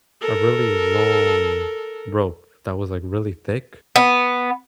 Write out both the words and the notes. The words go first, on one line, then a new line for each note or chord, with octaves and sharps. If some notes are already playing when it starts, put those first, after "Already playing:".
a really long rope that was, like, really thick,
A4 A#4
B3